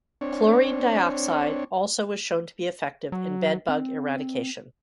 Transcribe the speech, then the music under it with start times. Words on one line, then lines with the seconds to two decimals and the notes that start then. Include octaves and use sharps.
Chlorine dioxide also was shown to be effective in bedbug eradication.
0.21 C4 D4 C#5
3.12 F#3
3.69 C4